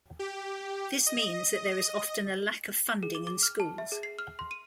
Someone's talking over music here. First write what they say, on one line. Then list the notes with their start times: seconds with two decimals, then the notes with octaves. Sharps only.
This means that there is often a lack of funding in schools.
0.19 G4
1.07 D#5
3.03 G#4
3.15 D6
3.27 D6
3.43 F6
3.60 A5
3.78 E5
3.92 G#4
4.03 C7
4.19 F6
4.39 C6
4.51 D#7